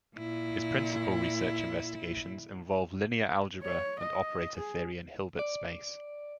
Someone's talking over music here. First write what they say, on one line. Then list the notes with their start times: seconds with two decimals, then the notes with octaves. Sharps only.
His principal research investigations involve linear algebra and operator theory in Hilbert space.
0.16 A#2 E4
3.63 C#5
4.00 D#5
4.57 G#4
5.39 D5